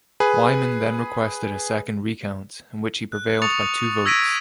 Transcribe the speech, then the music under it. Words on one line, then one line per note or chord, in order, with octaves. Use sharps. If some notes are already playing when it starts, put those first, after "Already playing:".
Wyman then requested a second recount, in which he prevailed by two votes.
G#4 B4
F#6
C#6 D#6 A6 C#7 F7
E6 G#6 A#6 B6 D7 D#7